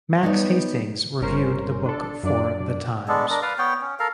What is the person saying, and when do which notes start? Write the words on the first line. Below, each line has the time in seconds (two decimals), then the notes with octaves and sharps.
Max Hastings reviewed the book for "The Times".
0.23 G3 B3 D#4 B4 C#5
1.21 G1 C#4 A#4 C5
1.85 D4 A4
2.23 F#2 D4 D5
3.08 G#3 B3 D4 A4
3.30 D4 A#4
3.42 B4 D5 F5
3.58 B3 C#5 G5
3.81 C#4
3.99 A4 A#4 F5